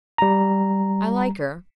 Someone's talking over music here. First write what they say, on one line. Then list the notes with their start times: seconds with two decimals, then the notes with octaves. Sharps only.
I like her.
0.18 G3 A#5